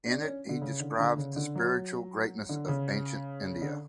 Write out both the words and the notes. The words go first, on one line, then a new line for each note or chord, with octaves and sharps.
In it he describes the spiritual greatness of Ancient India.
D4
C#4
D3
C#3
D3
D3
C#3
D3
F#3
D3
C#3
D3